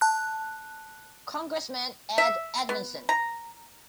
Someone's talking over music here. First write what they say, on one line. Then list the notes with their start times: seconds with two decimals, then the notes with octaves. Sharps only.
Congressman Ed Edmondson.
0.01 A5 F#6
2.18 E5
2.69 B3
3.09 A#5